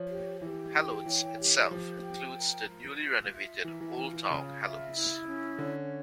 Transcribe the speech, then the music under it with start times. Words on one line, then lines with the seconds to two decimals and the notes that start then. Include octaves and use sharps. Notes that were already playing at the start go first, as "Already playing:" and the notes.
Helotes itself includes the newly renovated Old Town Helotes.
Already playing: F3 C#5
0.09 G4
0.41 E3 G4
0.74 E3 G5
1.06 E3 C#5
1.39 G4
1.71 F3 G4
2.03 G5
2.36 A#4
2.68 F4
3.00 F4
3.33 E5
3.64 E3 A#4
3.81 E3
3.97 E3 F4
4.13 E3
4.29 C#3 F4
4.62 E5
4.94 E4
5.27 C#4
5.58 D3 C#5